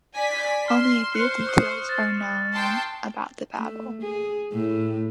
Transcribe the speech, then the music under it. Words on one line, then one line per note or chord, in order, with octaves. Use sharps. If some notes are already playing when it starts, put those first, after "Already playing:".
Only a few details are known about the battle.
D5 G#5 B6
C6 F6 C7 E7
C5 C6 F6 F#6 C#7
C#6 D#6 F6
A6
G5 A5 C6
A3
G#4
A2